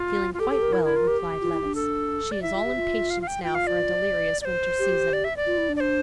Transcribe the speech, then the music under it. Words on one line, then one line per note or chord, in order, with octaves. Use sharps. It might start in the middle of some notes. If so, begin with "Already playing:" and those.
"Feeling quite well," replied Levice; "she is all impatience now for a delirious winter season."
Already playing: F4
F4
G4 A4
A4
A#4
E4
E4
F4
G4
F4
E4
D4
A4
D5
E4 E5
F4
G4
F4
F5
F5
G5
F4 G5
F5
D5
D5
C5
G4
D5
E5
D5
F4
E4
D4
D5
C5